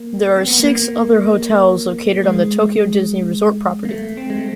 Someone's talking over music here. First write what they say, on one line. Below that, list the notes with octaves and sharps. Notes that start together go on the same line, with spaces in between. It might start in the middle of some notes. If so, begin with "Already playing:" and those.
There are six other hotels located on the Tokyo Disney Resort property.
Already playing: A#3
C4
B3
A#3
G#3
A#3
A3
C4
G#3
A3